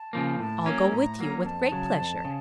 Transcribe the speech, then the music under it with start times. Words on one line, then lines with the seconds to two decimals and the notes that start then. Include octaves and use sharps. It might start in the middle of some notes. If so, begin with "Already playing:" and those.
I'll go with you, with great pleasure.
Already playing: A5
0.13 C#3 F3 A#3
0.39 A2 A5
0.65 F#3 A#3 C#4 A#5
0.92 A2 A#5
1.19 F#3 A#3 C#4
1.45 F2 A5
1.72 C#3 F#3
1.99 F2
2.25 C#3